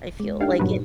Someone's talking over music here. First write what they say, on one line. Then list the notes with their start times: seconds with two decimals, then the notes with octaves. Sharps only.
I feel. Like, it
0.20 G#3
0.40 D4 D#4 G4 F5 G5
0.60 G2 A#2 F#3 B4